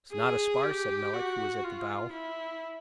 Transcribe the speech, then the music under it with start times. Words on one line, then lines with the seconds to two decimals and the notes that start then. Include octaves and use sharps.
"It's not a spar," said Melick, who was at the bow.
0.13 G#4
0.63 G4
1.13 F#4
1.64 F4
2.13 E4